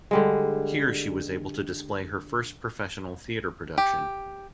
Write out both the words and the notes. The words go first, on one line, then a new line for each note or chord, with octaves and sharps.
Here she was able to display her first professional theatre production.
D3 G3 G#3
G4